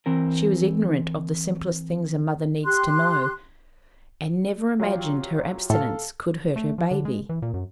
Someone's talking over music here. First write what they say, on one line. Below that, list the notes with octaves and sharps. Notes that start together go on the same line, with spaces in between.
She was ignorant of the simplest things a mother needs to know, and never imagined her abstinence could hurt her baby.
E3 C4 A#4
G4 C6 F#6
F#3 F4 G4
A2 A4 F5
A3
F3
D3
G#3
E3
A#2
F#2